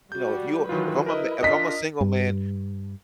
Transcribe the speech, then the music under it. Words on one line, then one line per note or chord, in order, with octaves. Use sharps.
You know, if you if I'm a m if I'm a single man,
G3 F#4 G6
D#3 E3 F#3 F4 B4
E4 A#4 B4 D#5
D4 F4 A#4 D#5 B6
G2